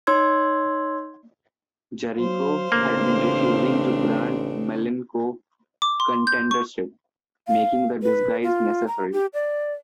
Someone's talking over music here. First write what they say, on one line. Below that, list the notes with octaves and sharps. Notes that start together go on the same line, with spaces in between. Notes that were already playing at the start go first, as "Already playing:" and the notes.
Jericho had been refusing to grant Malenko contendership, making the disguise necessary.
D#4 C#5 C6 E6 G#6
F#3 C5 F5
A1 C#3 A#3 C4 D4
D6
C6
G6
C#6
F5
B4
F4
A#5
G4
D5